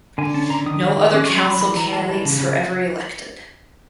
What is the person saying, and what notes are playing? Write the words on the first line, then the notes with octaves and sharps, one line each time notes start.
No other Council candidates were ever elected.
D3 G#5
C#4 A5
D3 A#5
D#3 D#6
D#3
D#3
C#4 D6
C#6
F#3
C6
F#3 B5
E3 B5
E3 A#5
G#3 A5
E3 A5
C#3
C#3